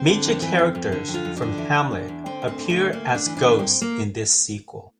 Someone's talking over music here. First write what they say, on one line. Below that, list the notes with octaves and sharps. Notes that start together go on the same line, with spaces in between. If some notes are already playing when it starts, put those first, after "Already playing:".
Major characters from "Hamlet" appear as ghosts in this sequel.
Already playing: C4
D3
F2
E3
F2
F2
D3
F2
F4
F2
D4
D3
E3
E2
E2
E2
D3 C4
D2
C4
D3
A3
D2
D2 A#3
D2
D4
E3
D4
D2
G2 C4
A#3